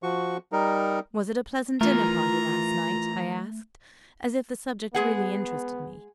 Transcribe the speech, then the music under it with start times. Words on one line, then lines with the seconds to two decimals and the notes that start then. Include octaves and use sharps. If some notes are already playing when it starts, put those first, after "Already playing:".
"Was it a pleasant dinner-party last night?" I asked--as if the subject really interested me.
0.03 F3 F#4 C#6
0.52 G3 D#4 A#4
1.81 E3 A3 F4 A#4 A#5
4.95 G#3 B3 G#4 F#5